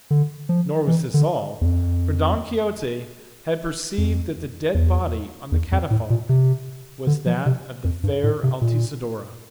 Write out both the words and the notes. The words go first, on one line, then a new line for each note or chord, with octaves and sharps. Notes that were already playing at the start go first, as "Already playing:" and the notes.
Nor was this all, for Don Quixote had perceived that the dead body on the catafalque was that of the fair Altisidora.
D3
F3
E3
D3
E2
F2
F2
E2
E2
F2
A2
A#2
C3
D3
F3
C3
F2
G2
A2
C3
A#2